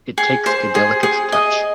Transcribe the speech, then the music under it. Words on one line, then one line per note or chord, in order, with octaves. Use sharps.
It takes a delicate touch.
G#4
C5
G#4
G#4
D#5